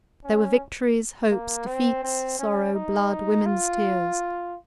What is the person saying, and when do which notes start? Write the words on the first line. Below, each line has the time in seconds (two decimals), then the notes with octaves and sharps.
There were victories, hopes, defeats, sorrow, blood, women's tears . . .
0.24 C#4
1.31 A#3
1.67 C4
2.03 C4
2.39 C#4
2.75 D#4
3.46 F4